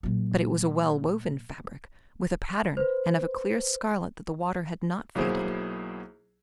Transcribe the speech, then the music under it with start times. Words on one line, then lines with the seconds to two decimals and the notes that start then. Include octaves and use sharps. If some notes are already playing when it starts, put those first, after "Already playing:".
But it was a well-woven fabric, with a pattern, and of a clear scarlet that the water had not faded.
0.03 A#2 F#3
2.77 B4 C5
5.15 B1 F#3 A#3 E4 G#4 C5